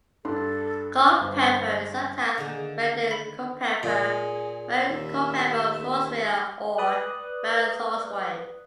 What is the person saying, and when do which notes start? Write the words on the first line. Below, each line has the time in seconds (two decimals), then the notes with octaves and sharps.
Colepeper is sometimes rendered "Culpeper", Baron Colepeper of Thoresway, or Baron Thoresway.
0.25 G2 D4 A4 C6
1.21 G1 C5
2.38 D3 D#3 A#3 D#4 G#4
3.11 B5
3.83 A#2 G#4
4.89 D#2 E5
6.78 B4 D5 D#6 F#6